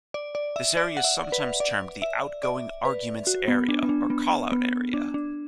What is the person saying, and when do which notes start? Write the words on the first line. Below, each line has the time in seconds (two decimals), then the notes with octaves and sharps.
This area is sometimes termed the "outgoing arguments area" or "callout area".
0.14 D5
0.35 D5
0.56 E5
0.77 D5
0.97 F#5
1.04 E5
1.32 B4
1.60 D5
2.02 E5
2.43 D5
2.85 B4
3.27 F#4
3.48 B3
3.69 D4
3.83 B3
3.89 D4
4.10 B3
4.52 B3
4.94 D4
5.14 D4